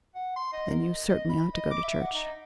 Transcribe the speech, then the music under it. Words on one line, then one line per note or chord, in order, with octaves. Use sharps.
"Then you certainly ought to go to church."
F#5
C6
D#5
A#4
D#5
D#5
B5
D#5
D6
E5
F#5
D#4